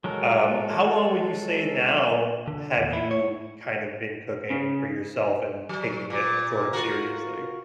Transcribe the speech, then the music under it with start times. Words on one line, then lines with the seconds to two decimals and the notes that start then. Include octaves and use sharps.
um How long would you say, now, have you kind of been cooking for yourself and taking it sort of seriously?
0.04 F#3 G#3 A4 A#4
2.48 D3
2.77 E2
2.93 E4
3.11 C#5
4.50 C#3
5.69 F#3
6.10 A#2
6.73 F4 F#4 A#4